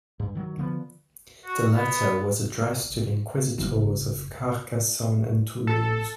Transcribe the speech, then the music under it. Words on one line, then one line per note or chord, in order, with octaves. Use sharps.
The letter was addressed to the Inquisitors of Carcassonne and Toulouse.
G2
D#3 F#3
D3 F3 B3
F#4
B3
F#1
A4